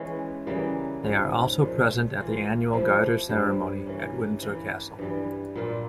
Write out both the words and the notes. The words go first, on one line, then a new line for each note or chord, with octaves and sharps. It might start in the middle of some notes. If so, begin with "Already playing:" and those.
They are also present at the annual Garter Ceremony at Windsor Castle.
Already playing: E3 G#3 C#4
C#3 E3 G3 A#3
G#2 G3 C#4 F4
A#2 F3 G#3
E3 A#3 F4
F3 C4 E4 G4
G2 G3 C4
E3 A#3 C#4
E3 A#3 E4
G2 E3 G3
A#2 G3 A#3 F4